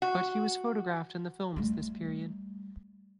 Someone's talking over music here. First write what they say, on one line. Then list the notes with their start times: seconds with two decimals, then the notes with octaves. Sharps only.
But he was photographed in the films this period.
0.02 F#4
1.56 G3 A3